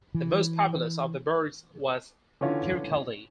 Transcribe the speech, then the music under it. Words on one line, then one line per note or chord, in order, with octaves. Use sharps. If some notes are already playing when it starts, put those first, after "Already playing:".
The most populous of the burghs was Kirkcaldy.
E3
D3 E3 C#4 F4